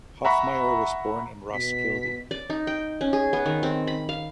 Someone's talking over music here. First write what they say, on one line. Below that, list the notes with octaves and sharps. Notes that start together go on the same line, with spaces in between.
Hoffmeyer was born in Roskilde.
E5 F#5 A#5 B5 C#6
B2 B6
D5
D#4
G5
C#4
G#4
B3
D#3
C4
B5
F5